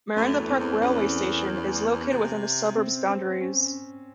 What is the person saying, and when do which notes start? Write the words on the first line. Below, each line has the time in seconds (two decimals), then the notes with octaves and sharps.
Merinda Park railway station is located within the suburb's boundaries.
0.16 F#2 A3
0.39 E2
0.49 C4
0.60 E2
0.81 E2 C#4
2.12 C3
2.76 C4
3.08 C4
3.40 C#4